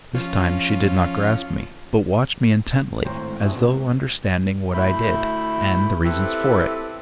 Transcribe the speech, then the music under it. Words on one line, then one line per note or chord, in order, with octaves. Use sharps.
This time she did not grasp me, but watched me intently, as though understanding what I did, and the reasons for it.
F3 C#4 F4
G#1 A2 C5 C#5 G5 A#5
A3 C4 D4 E4 F#4 G#4
C#2 B2
D2 A3 E4 B5 G6
C4 E4 G4 A4 B4